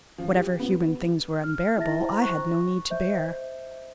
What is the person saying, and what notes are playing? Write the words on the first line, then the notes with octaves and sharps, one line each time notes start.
Whatever human things were unbearable, I had no need to bear.
F3
G4
B3
F6
E4 G#4 E5 A5 A6 A#6
C5 G5 A#5
C#6 F#6
C5 D#5 E5 G6